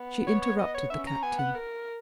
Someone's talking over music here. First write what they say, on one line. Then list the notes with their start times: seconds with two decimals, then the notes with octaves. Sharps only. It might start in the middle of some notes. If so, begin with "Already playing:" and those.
She interrupted the Captain.
Already playing: B3
0.27 C#5
0.42 C#5
0.59 D#5
0.74 C#5
0.90 C#4 E5
1.07 A#5
1.22 B3 G#5
1.39 F#5
1.55 A#4